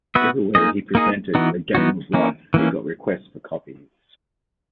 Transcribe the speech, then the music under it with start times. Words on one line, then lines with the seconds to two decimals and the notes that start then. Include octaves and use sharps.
Everywhere he presented "The Game of Life", he got requests for copies.
0.15 B3 F#4 B4 E5
0.55 A#3 D#4 G#4 D#5
0.95 A#3 D#4 G#4 D#5
1.35 E3 B3 D#4 F#4
1.75 E3 B3 D#4 F#4
2.14 E3 A#3 C#4
2.54 E3 A#3 C#4